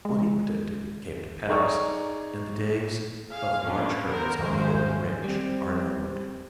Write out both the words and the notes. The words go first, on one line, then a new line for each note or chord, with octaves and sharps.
What he predicted came to pass, and the days of large herds on the open range are numbered.
G#3
D#4 G#4 C#5 D5 A#5 C#6
G#4 F5
B3 C#4 D4
B3 A#4 C5
D#1 G#1 F3 G#3 C#4 C5
G3 C4